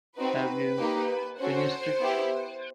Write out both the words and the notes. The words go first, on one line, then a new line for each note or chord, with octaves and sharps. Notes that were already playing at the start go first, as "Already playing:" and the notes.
Have you finished it?
C4 D#4 F#4 B4
A#3 D#4 G4
C#4 F#4 A4 C5
B3 E4 G4